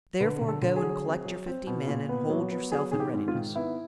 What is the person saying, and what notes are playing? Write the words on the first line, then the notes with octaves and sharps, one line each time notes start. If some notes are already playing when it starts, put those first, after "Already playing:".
"Therefore, go and collect your fifty men and hold yourself in readiness."
D3 B4
D3
A4
D3
G#4
F#3
C4
F#3
C4
B2
A#2
B3
F#3
B3
F#3 G#4
D#3 G#4
G4
G#2
F4
D#3
B3 E4